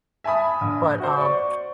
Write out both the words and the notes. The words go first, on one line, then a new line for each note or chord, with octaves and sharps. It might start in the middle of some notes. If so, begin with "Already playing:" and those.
but, um,
E5 G#5 A5 B5 D#6
A#1
F#4 C5
D5 C#6